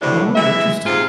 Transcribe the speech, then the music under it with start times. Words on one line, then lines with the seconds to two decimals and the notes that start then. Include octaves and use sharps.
Oh, interesting.
0.02 D2 A2 C3 E3 D4
0.35 E3 G#3 E5
0.86 G#2 C3 F4 G#4